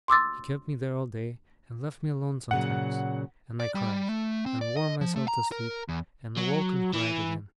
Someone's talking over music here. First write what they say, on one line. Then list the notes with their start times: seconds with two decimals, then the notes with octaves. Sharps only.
She kept me there all day, and left me alone sometimes; and I cried, and wore myself to sleep, and awoke and cried again.
0.08 C6 D6 E6 A6
2.51 A#2 C#3 F#3 F#5
3.60 D5
3.75 G3
4.09 A3
4.46 C4
4.61 D5
4.77 D#5
5.01 F3
5.16 A3
5.28 A#5
5.52 A#4
5.89 E2
6.38 F#3
6.94 E3